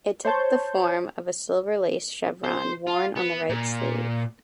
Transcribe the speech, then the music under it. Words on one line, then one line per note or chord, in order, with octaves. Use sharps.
It took the form of a silver lace chevron worn on the right sleeve.
C5 C#5 A5 G6
C5
F4
B3
A#2